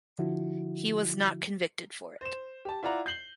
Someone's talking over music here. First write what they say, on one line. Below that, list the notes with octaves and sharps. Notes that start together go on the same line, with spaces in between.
He was not convicted for it.
D3 F3 E4 F#4
C5 E7
G4 A5
E4 F4 D5 F#5 A#5
G6 C7 F#7 G7